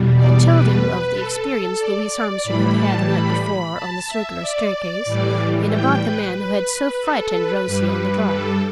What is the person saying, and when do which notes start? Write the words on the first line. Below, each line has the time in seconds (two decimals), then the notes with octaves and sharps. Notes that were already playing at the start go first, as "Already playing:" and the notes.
I told him of the experience Louise Armstrong had had the night before, on the circular staircase, and about the man who had so frightened Rosie on the drive.
Already playing: E2 B2 G3
0.16 D5
0.49 B4
1.13 A4
1.79 D5
2.44 A2 E3 G3 B5
2.76 A5
3.09 B5
3.42 B5
3.74 A5
4.07 E5
4.40 D5
5.05 A2 E3 G3 D5
5.70 G5
6.03 B4
6.35 B4
7.01 A4
7.34 B4
7.66 G2 G3
8.31 A4